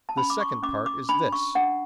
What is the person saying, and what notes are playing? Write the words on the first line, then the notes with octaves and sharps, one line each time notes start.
The second part is this.
A5
C#4 B5
D6
C#6
C#4 D6
D6
D4 B5
C#6
D4 F#5